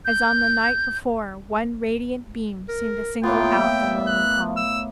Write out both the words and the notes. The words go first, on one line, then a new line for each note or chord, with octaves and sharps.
As on the night before, one radiant beam seemed to single out the lonely palm.
G6
A#4
A2 A#3 B3 F4 G5
E5
F#6
E6